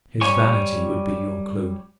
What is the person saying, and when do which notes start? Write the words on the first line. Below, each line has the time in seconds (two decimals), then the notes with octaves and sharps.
His vanity would be your clue.
0.21 G3 C#5 G#5 C#6